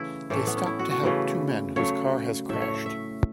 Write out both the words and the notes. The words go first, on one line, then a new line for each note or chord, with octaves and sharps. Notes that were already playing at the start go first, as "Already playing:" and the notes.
They stop to help two men whose car has crashed.
Already playing: C#3 E3 A3 E4
A2 E3 A3
B3
C#4
E4
F#4
F#4
C#3 E3 A3 B4
C#3 F#3 A3 C#5
A2 A3 E5
C#5
E5
E5